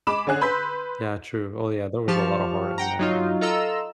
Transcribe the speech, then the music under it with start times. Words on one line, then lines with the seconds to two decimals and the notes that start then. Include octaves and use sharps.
Yeah, true, oh, yeah, there was a lotta heart in that, yeah.
0.07 G#3 B5 D6 E7
0.27 D3 C#4 G#4 F#6
0.41 B4 B5 C6 E6 G6 B6
2.08 F3 G4 A5 C#6 F6
2.78 F#5 G5 A#5
2.99 F#3 D#4 F4
3.41 F4 A4 D#5 A#5 E6